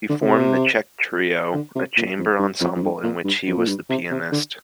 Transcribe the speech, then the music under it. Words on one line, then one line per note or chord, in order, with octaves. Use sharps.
He formed the Czech Trio, a chamber ensemble in which he was the pianist.
D3
D3
C3
D3
C3
A#2
F2
G2
F2
F2
G2
A#2
G2
F2
A#2
G2
C3
C3
D3